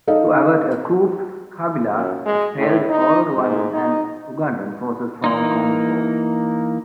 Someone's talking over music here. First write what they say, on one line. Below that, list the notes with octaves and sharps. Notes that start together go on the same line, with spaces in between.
To avert a coup, Kabila expelled all Rwandan and Ugandan forces from the Congo.
D#4 A4 F5
F#2
G#3
A2
D#4
G#2
D#4
E3 A#3 D#4